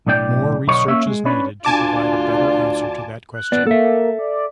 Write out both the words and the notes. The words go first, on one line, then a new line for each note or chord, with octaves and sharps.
More research is needed to provide a better answer to that question.
B1 A2 D4 D5 G5
B1 D3 B3 D#4 C#5
A#3 C#4 C#5 E5
G#3
C#4 D4 B4 C#5 D5
D2 D4 F4 F#4 D5 G#5 A5 D6
F#6
B3 D5
A#3 A4 E5
D5